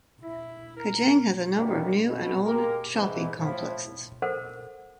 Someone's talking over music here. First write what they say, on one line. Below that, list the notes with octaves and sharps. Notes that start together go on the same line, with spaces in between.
Kajang has a number of new and old shopping complexes.
E4
A#4
D2 B2 A#3 B3 D4 G4
B2
G#3 A#3 G4 A#4
G#2 E3 G#3
A2 F3 E4
A4 A#4 C5 F#5